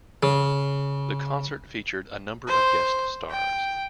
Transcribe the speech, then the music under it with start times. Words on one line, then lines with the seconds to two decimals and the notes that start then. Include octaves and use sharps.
The concert featured a number of guest stars.
0.23 C#3
2.47 C5
3.30 G5